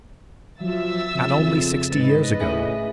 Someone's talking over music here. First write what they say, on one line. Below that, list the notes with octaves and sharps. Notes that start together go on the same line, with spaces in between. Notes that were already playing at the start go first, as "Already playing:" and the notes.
And only sixty years ago!
F3 F#3 E5 E6 A6
F2 C#3
G#2 B4 D#5 A6
A2 C#4 G#4 E5